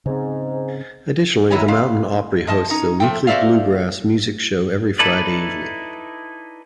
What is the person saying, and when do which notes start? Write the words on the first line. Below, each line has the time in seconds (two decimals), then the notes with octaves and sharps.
Additionally, the Mountain Opry hosts a weekly bluegrass music show every Friday evening.
0.06 G#2 C#3 C4
1.51 D#3 F#3 E4 C#5 G#5
1.68 C#3 G#3 F5
2.47 F3 D#5 A5
2.70 C#4 D#4
3.00 F3 A3 G5
3.27 F#4 A4 C5 D5 E5 F5
4.99 D#4 E4 A4 B4 D5